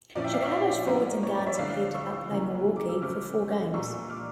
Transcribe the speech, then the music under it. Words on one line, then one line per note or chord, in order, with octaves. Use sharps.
Chicago's forwards and guards appeared to outplay Milwaukee for four games.
A#2 F3 C#4 E4 D5
E5 G5
D5 F5
C#5 E5
D5
F3 A#3 C#4 E4
C#5
D5
C#5 E5
D3 F3 A3 D5 F5
C#6 E6
C#3 E3 A#3
D6
E6
C#3 F3 A3 D6 F6
A#2 G3 A#3 D4 F4 C#6 E6
D6 F6